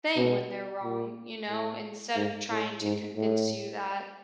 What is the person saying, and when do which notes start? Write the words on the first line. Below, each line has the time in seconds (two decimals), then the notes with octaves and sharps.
saying when they're wrong, you know, instead of trying to convince you that
0.17 B2
0.83 A#2
1.49 A2
2.16 G#2
2.50 A2
2.82 G#2
3.16 A2